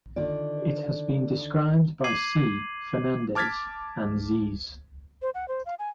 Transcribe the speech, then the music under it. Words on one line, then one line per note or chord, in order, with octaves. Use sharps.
It has been described by C. Fernandez and Zs.
D3 D#3 F4 D5
D6 G#6 C7 D#7 F#7
A5 D6 F6 G#6 A6 B6
C5
F#5
C5
F5
G#5